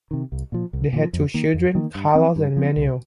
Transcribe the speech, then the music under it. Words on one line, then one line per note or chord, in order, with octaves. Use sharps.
They had two children, Carlos and Manuel.
C3 D#3
C2
A#2 F3
C2
A#2 F3
F2
D#3 A#3
F2
D#3 A#3
G2
F3 C4
G2
F3 C4
C2